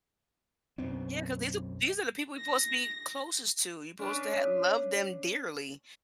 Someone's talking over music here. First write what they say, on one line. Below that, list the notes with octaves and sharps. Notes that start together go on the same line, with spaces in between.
Yeah, 'cause these are these are the people we're 'posed to be closest to, you're 'posed to have loved them dearly.
B1 F#2 B3 C4
A#6
C#4 D4 B4